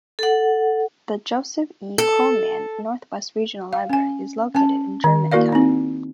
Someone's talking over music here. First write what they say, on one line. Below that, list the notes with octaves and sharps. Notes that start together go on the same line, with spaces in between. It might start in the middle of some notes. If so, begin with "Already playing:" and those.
The Joseph E. Coleman Northwest Regional Library is located in Germantown.
A4 F#5
A4
F5
C#4 G#5
C#4 A5
D#3
A#3 E4 F#4 A#4 D5 F5
C4 D#4